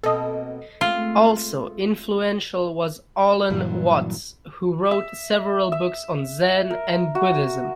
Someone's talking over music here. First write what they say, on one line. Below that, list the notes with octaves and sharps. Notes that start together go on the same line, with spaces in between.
Also influential was Alan Watts, who wrote several books on Zen and Buddhism.
B2 A#3 C4 A4 D#5
G#3 A3 C4 F4
G2 A#2 E3 F#3
E5
E5
A#4
F#4